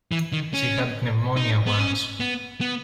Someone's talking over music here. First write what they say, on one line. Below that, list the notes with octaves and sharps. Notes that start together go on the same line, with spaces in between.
She had pneumonia once.
E3
D#3
C#4
D#4
B3
C#4
B3
B3